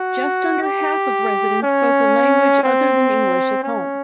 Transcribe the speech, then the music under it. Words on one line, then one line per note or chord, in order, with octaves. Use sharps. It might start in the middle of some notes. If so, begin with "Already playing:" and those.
Just under half of residents spoke a language other than English at home.
Already playing: F#4
G4
C#4
C4
C#4